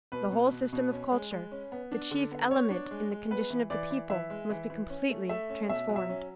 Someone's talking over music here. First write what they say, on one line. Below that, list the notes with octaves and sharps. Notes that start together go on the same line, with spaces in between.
The whole system of culture, the chief element in the condition of the people, must be completely transformed.
B2 B4
B2
B2
B2
C#4
G#3
G#3
C#4
B3
D4
D3
B3
B3 C#5
D4
G#3
G#3
B3 B4
E3
E3 D5
E3
E3 E5
G#3
E3
E3
C#4
A3
A3 E5
C#4
B2 E5
F#3
E5
C#4